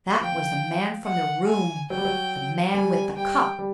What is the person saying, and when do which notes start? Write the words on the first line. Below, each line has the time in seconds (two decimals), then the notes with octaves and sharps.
That was the man from the room--the man with the cup!
0.21 F3 G5
1.05 F#5
1.48 G#5
1.90 F#3 G5
1.97 G3
2.05 F#3
2.74 G3 G#5
3.16 G3 G5
3.59 G3